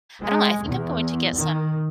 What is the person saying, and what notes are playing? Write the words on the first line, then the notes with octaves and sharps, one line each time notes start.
I don't know, I think I'm going to get some,
G#3
E2
D#3